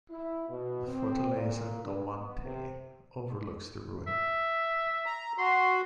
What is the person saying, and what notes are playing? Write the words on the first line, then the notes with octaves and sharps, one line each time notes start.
The Fortaleza do Monte overlooks the ruin.
E4
B2
C4
A#2
G2
B3
C3
E5
A#5
F#4 C6